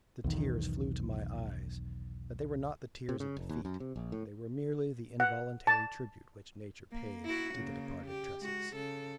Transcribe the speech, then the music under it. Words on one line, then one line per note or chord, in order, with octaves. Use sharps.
The tears flew to my eyes, but they were not the tears of defeat; they were merely the involuntary tribute which nature paid to the departed tresses.
B1 E2 D#3
C3
C#3
F1
D#2
F#2
C3
A#1
A2
F#5
A5
A#3
E4 F#4
C#3 A#3
G4
G#3 F#4
C#3 A4